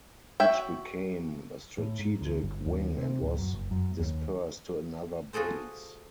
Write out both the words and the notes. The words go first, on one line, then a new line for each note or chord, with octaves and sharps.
Each became a strategic wing and was dispersed to another base.
F#4 C#5 E5 G5
A2
G#2
D2
G1
D#2
C3
D1
F#2
F#1
F#2
D#2
F4 F#4 G#4 A4 C5